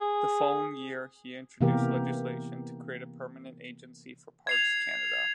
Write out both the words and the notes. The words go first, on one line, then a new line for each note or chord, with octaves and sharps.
He following year, he introduced legislation to create a permanent agency for Parks Canada.
G#4
C3 E3 A#3 B3 G4 A#4
G#6 C7 F7